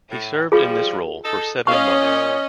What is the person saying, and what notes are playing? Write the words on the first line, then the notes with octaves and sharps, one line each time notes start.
He served in this role for seven months.
A2
F3 G3 F4 G#4
D#4 A4
C#4 D#5 F5 C#6
A#2